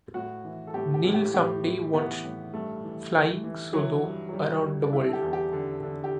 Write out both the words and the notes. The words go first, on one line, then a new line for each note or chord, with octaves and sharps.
Neil some day wants flying solo around the world.
A2 F#4
E3
A4
A2 G4
G4
A2
G4
A2 G4
A2
E3 B3
A2
G2 A3
E3
E3
E3
E3 F#3
G2
F#3
E3 G3
G2
D4
D3 E4
A4
G4
E2
G4
D3
D3
G4